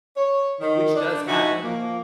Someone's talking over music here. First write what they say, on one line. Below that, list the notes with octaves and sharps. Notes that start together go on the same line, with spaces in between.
which does happen,
C#5
D#3
D4
F3 D#4 F#4 E5 G#5
F3 A#3